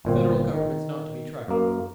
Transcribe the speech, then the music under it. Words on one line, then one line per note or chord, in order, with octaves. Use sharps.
The Federal Government's not to be trifled with.
G1 A#2 C4
D#3
F#2 A#3